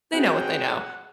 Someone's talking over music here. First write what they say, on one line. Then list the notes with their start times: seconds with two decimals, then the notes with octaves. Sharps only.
they know what they know,
0.13 C4 F#4 G#4 F#5 G5